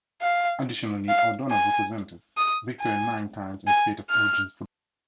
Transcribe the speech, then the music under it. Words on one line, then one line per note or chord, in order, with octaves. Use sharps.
Additionally, O'Donnell represented Victoria nine times in state of origin football.
F5
F5
G#5
D#6
G#5
G#5
F6